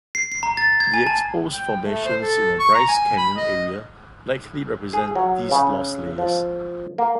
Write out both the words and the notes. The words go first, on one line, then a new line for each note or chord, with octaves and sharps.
The exposed formations in the Bryce Canyon area likely represent these lost layers.
C7
C7
A#5
A6
G#6
G#5
A5
G5
A3
C5
A4
C#6
A#5
G#5
B5
D#5
G#4
F#3
C#3
F3
A#3